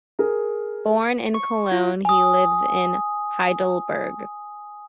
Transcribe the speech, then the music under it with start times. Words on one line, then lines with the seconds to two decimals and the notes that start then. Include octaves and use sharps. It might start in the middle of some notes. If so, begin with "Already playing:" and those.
Born in Cologne, he lives in Heidelberg.
0.19 G#4 A#4
1.34 C#6
1.72 F4
2.05 G#5 D#6